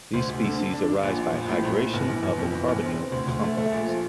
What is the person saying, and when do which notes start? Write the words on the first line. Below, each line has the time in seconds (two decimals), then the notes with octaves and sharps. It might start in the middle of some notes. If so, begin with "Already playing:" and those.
These species arise by hydration of the carbonyl compounds.
0.13 D2
0.28 D2
0.44 D3
0.59 D3
0.73 D4
0.89 D4
1.03 A#1
1.18 F3
1.33 A#1
1.48 A2
1.63 A#1
1.79 A2
1.93 G1
2.09 E3
2.23 G1
2.38 F2
2.52 E3
2.68 G1
2.82 C4
2.97 C4
3.12 D2
3.27 D2
3.42 A3
3.58 A3
3.72 A#1
3.86 F3